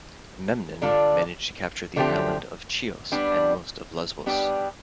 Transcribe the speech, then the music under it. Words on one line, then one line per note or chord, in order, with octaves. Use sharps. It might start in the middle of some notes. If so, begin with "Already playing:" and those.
Memnon managed to capture the island of Chios and most of Lesbos.
D3 G3 D4 F4 A4
D3 F3 A3 C4 G4
G3 B3 D4
G3 B3 D4 G4